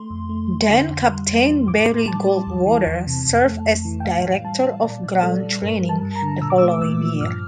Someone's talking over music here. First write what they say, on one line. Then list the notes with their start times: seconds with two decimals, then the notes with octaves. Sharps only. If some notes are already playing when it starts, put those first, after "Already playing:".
Then-Captain Barry Goldwater served as director of ground training the following year.
Already playing: A3 C6
0.10 F2
0.29 A3
0.50 F2
0.69 D3
0.89 F2
1.08 G3
1.29 F2
1.48 E3
1.68 A2 D6
1.88 A2
2.08 G3 A5
2.27 G3
2.47 E2
2.66 E3
2.86 E2
3.07 C3
3.26 F2
3.46 A3
3.65 F2
3.85 E3
4.00 G5
4.05 A2 F5
4.24 A2
4.44 G3 A5
4.64 G3
4.84 A#2 D5
5.03 A#2
5.23 G3 A4
5.43 G3
5.62 G2 A#4
5.83 G3
5.89 A5
6.02 G2
6.16 A#5
6.22 D3
6.42 A#2 E6
6.50 D6
6.58 A3 E6
6.82 A#2 E6
7.01 F3
7.21 G2 F6